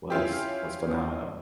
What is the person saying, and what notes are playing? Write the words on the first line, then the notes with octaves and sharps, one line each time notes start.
was was phenomenal.
C#4 E4 F4 G4